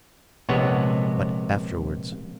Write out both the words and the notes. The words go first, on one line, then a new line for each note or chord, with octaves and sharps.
But afterwards.
A#1 C3 G#3 B3 C#5 F#5